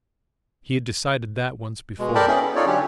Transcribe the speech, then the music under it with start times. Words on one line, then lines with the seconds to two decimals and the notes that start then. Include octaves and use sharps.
He had decided that once before!
1.99 B2 G#3
2.15 A4 A#4 D5 G5 A5 B5
2.28 B3 C#4 E4 G#4
2.41 B3
2.55 D#4 F4 A4 C#5 D5
2.67 D3 F#3 C#4 D4 G4